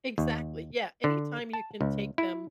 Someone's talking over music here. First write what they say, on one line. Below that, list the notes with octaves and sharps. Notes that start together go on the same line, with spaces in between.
Exactly, yeah. Anytime you can take them,
D#2
D3
A5
C#2
E4